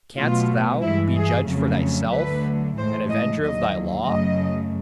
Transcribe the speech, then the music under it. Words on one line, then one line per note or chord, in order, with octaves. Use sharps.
Canst thou be judge for thyself, and avenger of thy law?
B2 F#3 A3 F4
G2 E3 G#3 E4
G#4
F2 C#3 F#3 A3
D2 D3 F#3 A3 B4
A2 E3 G#3 C5
D#5
D#2 D3 F#3 D#5
F#2 C#3 F#3 A3 D#5